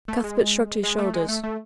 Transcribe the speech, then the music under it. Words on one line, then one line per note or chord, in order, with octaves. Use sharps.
Cuthbert shrugged his shoulders.
A3
G#3
G#3
A3
G#3
A3
A3